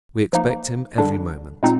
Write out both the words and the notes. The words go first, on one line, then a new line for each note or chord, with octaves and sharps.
"We expect him every moment."
F3 A#3 D#4
D3 G3 D4
A#2 G#3 C4 D#4